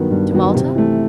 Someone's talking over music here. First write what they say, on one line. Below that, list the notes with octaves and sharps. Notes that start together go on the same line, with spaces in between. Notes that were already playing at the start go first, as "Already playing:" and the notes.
"To Malta?"
Already playing: G2 D#3 F#3 B3
G2
D#3 F#3 B3
C3
E3 A3